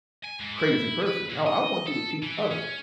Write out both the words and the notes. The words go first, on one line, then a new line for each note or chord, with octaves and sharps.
crazy person. I I want you to teach others
G#5
G#2
E4
B4
A#2
D#5
A4
E3
C#4